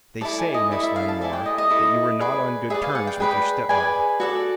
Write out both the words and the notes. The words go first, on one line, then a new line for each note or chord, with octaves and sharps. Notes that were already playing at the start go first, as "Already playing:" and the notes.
"They say, Miss Langmore, that you were not on good terms with your stepmother."
E4 A4 D5 A5
G#5
D#5
E4 A4 D5
E5
F5
A5
E4 A4 D5 G#5
G5
D#5
D#5
E4 A4 D5
G#4 B4 D5
G#4 B4 D5 E5
F5
F#5
G5
G#4 B4 D5 G5
G#4 B4 D5 G#5
F#4 A4 D5